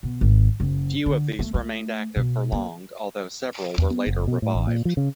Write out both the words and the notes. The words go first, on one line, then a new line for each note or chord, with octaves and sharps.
Few of these remained active for long, although several were later revived.
B2
G#1
F#1
D3
A3
A3
B2
A#3
E2
B3
F#1
B2
A2
A1
A#2
F3
C#3